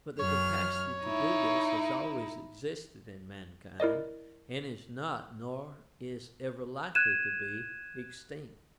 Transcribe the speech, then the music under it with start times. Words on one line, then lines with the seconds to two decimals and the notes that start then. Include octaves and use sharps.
But the capacity to do this has always existed in mankind, and is not, nor is ever likely to be, extinct.
0.20 F#2 C#5 F6
1.04 D#4 E4
3.80 E4 A#4 D5 D#5
6.95 F#6 G#6 D#7 E7